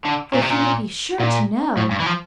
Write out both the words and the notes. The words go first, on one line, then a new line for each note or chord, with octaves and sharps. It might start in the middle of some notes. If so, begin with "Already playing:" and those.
For he would be sure to know.'
D3
A#2
C3
A#2
A#2
A2
G2
E3
F3